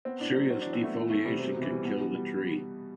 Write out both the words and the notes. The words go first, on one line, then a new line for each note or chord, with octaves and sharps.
Serious defoliation can kill the tree.
B3 C4
A2 D4
F#3 C4
C4 F#4
E3 D4
C4
A3 B3
E3 A3
E2 A3
C3 G3
F#3 C4
B2
E3
G3
B2 B3
E3
G3